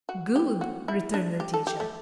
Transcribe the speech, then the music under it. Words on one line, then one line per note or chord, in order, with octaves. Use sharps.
"Good!" returned the teacher.
F#4
G4
F#4
E4
D4
G4
A4
G4
A3